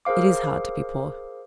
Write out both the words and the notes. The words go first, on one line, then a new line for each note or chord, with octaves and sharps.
It is hard to be poor.
G#4 A#4 C5 F5 D6